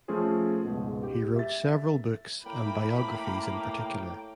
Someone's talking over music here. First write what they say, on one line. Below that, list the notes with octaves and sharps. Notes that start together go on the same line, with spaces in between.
He wrote several books and biographies in particular.
F3 A3 C#4 F4 G#4 C5
C#2 G#2 B2
G4
E5 A6
A2 A#3 G5 B5